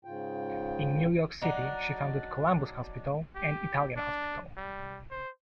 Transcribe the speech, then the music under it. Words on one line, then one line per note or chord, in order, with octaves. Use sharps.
In New York City, she founded Columbus Hospital and Italian Hospital.
G#2 C#3 F4 G5
F#3 D4 D#4
G4
D4
G3
C5